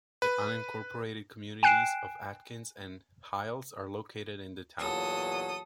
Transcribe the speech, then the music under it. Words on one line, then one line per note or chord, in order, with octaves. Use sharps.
The unincorporated communities of Atkins and Hiles are located in the town.
B4
G5 G#5 F#6 C7 D7 E7
E2 A#2 F#3 A4 D#6